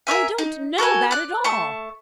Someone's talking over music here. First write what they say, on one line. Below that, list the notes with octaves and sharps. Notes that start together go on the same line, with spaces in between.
I don't know that at all!
A#4 C#5 E5 G#5
D#4
F#4 A4 A#4 G#5
D5 F#6
A3 A5 C#6